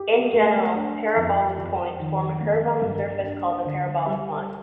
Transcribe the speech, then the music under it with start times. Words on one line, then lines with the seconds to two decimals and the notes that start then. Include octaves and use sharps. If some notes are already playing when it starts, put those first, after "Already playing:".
In general, parabolic points form a curve on the surface called the "parabolic line".
Already playing: G4
0.33 A3
0.74 D4
1.16 F2
1.58 F2
1.99 D#3
2.41 A#3
2.82 G2
3.23 D4
3.65 D3
4.06 G3